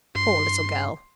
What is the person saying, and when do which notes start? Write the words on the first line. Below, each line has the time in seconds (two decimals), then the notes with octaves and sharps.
Poor little girl!
0.15 G2 C6